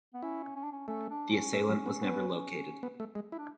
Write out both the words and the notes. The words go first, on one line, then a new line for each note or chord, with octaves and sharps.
The assailant was never located.
B3
C#4 E4
C#4
D4
C#4
A3 C#4
D4
C#4
A3
F#3
B3
B3
B3
A3
G#3
E4
D4